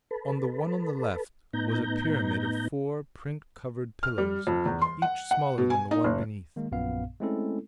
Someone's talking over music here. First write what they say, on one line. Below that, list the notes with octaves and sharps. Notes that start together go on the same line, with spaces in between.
On the one on the left was a pyramid of four print-covered pillows, each smaller than the one beneath.
A4 B4
A2 B3 D#4 A#5 G6
F6
G3
F2
E2
C6
F#5
F#5
B2
G#5
D#4
F#1
D#3 G#3 A#3
A#1 F#2 A#2 B3 F5
G#3 A3 C4 C#4 E4 A4